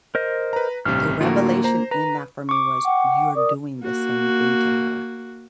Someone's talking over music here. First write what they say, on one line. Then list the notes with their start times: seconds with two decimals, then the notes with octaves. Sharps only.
The revelation in that for me was, "You're doing the same thing to her
0.15 A#4 C5 D#5
0.53 B4 A#5
0.85 A1 G2 C3 F6
1.21 A2 D3 A#3 F4 F#4
1.64 C5 A#5
1.91 B4 A#5
2.49 C#6 D6
2.85 F#5 G5
3.35 A#4 D5 D#6
3.81 A#3 F#4